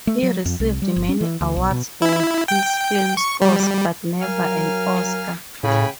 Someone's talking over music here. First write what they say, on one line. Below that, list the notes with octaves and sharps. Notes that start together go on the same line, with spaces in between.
He received many awards for his film scores, but never an Oscar.
A3
F#3
F2
C2
G3
G1
C#4
E3
D2
B1
B2
E4
G5
C#6
G3
F#3 A#4 F5 G#5 F6
A2 C#3 G5 G#5 B5